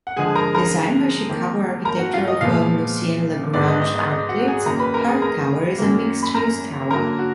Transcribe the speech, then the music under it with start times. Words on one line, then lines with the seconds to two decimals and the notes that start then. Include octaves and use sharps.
Designed by Chicago architectural firm Lucien Lagrange Architects, Park Tower is a mixed-use tower.
0.07 F#5
0.17 D3 F3 G#3 G#4 G#5
0.35 A#4 A#5
0.55 A#4 A#5
1.29 F2 D#3 A#3
1.85 A#4 A#5
1.99 F#4 F#5
2.14 F4 F5
2.27 D#5
2.41 A#2 F3 G#3 B3 F4 F5
3.53 G#2 D#3 G#3 B3 D5
3.68 D#5
3.82 D#5
3.96 D#5
4.10 D#5
4.29 F#4 F#5
4.47 G#4 G#5
4.66 F#2 D#3 A#3 A#4 A#5
4.79 B4 B5
4.94 A#4 A#5
5.08 G#4 G#5
5.22 A#4 A#5
5.78 F#2 D#3 A#3
6.23 B5
6.34 A#4 A#5
6.90 D3 F#3 A#3 A#4 A#5
7.19 F#4